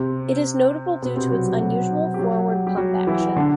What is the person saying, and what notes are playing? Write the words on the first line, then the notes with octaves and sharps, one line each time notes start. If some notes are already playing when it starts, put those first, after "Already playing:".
It is notable due to its unusual forward pump action.
Already playing: C3 C4
B2 B3
C3 C4
F#3 F#4
G3 G4
F#3 F#4
G4
F#3 F#4
G4
G3 G4
F#3 F#4
E3 E4
D3 D4